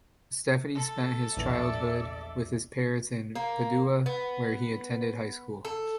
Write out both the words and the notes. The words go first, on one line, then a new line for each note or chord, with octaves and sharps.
Steffani spent his childhood with his parents in Padua, where he attended high school.
A4
A#1 E2 D5 E5
A#3
B3
A4